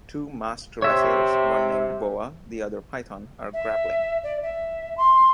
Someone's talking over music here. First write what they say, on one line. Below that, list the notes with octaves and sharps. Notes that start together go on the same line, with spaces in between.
Two masked wrestlers, one named "Boa" the other "Python", are grappling.
C3 C#5 E5
E5
D5
E5
C6